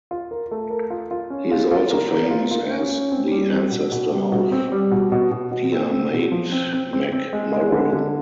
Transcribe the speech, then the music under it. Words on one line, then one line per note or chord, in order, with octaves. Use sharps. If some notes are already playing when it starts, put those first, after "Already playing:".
He is also famous as the ancestor of Diarmait MacMurrough.
F4
A#4
A3
A#4
F4
F4
C#4
F4
F4
A#4
A#4
F4
F4
C#4
C#4
C4
G3
C4
B2
B2
G3
B2
C4
G3
B2
B2
B2
B2
C4
C4
B2
F3
C4
C4
C4
C4
G#3
G#3
D3
D3